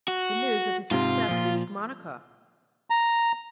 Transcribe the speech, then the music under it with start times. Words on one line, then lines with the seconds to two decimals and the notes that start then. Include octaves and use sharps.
The news of his success reached Monica.
0.08 F#4
0.91 G#2 C3 F4
1.28 A#2 F3
2.90 A#5